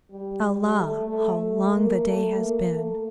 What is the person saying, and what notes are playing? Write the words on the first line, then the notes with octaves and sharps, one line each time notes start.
Allah! how long the day has been....
G3
G3
A3
A3
A3
A#3
A3
A#3
A3